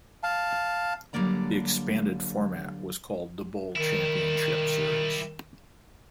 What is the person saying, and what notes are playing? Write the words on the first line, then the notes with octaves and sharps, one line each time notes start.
The expanded format was called the Bowl Championship Series.
F5 A5
D3 F#3 G3 A#3 D5 A#5
D#3 G3 E4